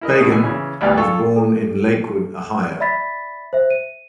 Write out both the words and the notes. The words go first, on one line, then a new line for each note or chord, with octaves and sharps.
Feighan was born in Lakewood, Ohio.
E4 A#4 D#5
A2 D#6
B1 E3 E4 G#5 B5
C#3 E3
A1 D2 G3 B3 D5 F6
F4 A4 C#6
A4
D5 E5 B5 A6 B6
C5 E5
D#7